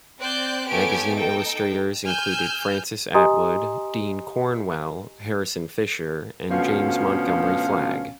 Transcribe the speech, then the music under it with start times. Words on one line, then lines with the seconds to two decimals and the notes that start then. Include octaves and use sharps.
Magazine illustrators included Francis Attwood, Dean Cornwell, Harrison Fisher, and James Montgomery Flagg.
0.19 C4 D5 F#6 G6
0.68 A3 B3 C#4 G4 G#5 D7
1.14 D#4 A4 G5
2.03 G#5 E6 F6 G6
3.15 G4 D#5 G#5 A#5 C6 D#6
6.49 D2 B2 F3 B3 C#4 F5